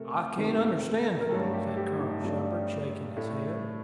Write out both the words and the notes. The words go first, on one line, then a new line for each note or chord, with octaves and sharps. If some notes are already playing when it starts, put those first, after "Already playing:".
"I can't understand it," said Colonel Shepard, shaking his head.
Already playing: C3 A3 A4 A#4
C3 D#3 A3
A#4
G2 F#3 A3 A4
G4
G4
D#4
G2 F#3 A3 D4
A2 A3